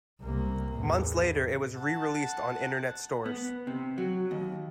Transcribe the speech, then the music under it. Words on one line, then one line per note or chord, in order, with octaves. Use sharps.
Months later it was re-released on Internet stores.
C2 A#3
E2 A2
F#5 A5
B3
C3
F#3
D#2